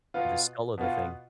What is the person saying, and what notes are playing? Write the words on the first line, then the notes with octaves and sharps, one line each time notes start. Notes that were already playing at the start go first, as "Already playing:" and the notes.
in the skull of the thing.
B2 B3 F4
B2 B3 F4